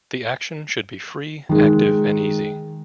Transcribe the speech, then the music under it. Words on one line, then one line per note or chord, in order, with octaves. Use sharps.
The action should be free, active and easy.
D#3 G#3